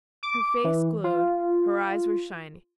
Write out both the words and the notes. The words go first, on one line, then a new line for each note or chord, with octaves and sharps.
Her face glowed, her eyes were shining.
D6
E3
F4